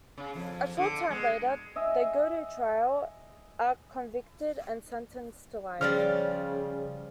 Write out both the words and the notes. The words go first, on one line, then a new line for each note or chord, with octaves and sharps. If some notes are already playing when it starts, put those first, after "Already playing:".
A short time later, they go to trial, are convicted, and sentenced to life.
C#3
F2
D3
G#3
D#5 E5 G#5
C#3 F3 G3 D5 F6